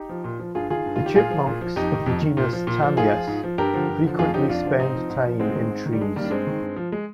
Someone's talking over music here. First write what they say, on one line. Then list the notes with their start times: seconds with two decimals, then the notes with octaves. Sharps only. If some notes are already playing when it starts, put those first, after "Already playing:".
The chipmunks of the genus "Tamias" frequently spend time in trees.
Already playing: D#4 G4
0.09 F3
0.24 A#2
0.39 F3
0.55 G2 F4 G#4
0.70 D#3 F4 G#4
0.86 G2
0.96 D#3 F4
1.06 G4
1.15 A#2 F4 G#4
1.30 F3
1.46 A#2
1.61 F3
1.76 F2 D#4 G4
1.92 D#3
2.06 F2
2.22 D#3
2.37 A#2
2.53 F3
2.67 A#2
2.83 F3
2.97 G#2 F4 G#4
3.13 F3
3.27 G#2
3.43 F3
3.58 G2 G4 A#4
3.74 D3 F3
3.89 G2
4.04 D3 F3
4.19 F2 F4 G#4
4.34 D3 F3 D#4 G4
4.49 F2 D4 F4
4.64 D3 F3
4.79 G#2 C4 D#4
4.95 F3
5.09 G#2
5.25 F3
5.40 G#2 G#3 C4
5.55 D#3
5.70 G#2
5.86 D#3
5.93 G3
6.01 G2 G#3
6.16 D#3 G3 A#3
6.24 D4
6.31 G2 G#3 C4
6.47 D#3
6.61 G2
6.76 F3
6.92 G#3